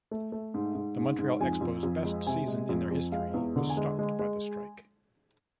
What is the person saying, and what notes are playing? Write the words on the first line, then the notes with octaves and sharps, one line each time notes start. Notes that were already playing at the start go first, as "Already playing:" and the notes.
The Montreal Expos' best season in their history was stopped by the strike.
A3
A3
G#2
G#2
G#2
G#2
F2 G#5
F2
F2
G#3
C3 G#5
G#3
F2
F2
G#3 F5
E2
D3
G#5
G#3
G#3
G#3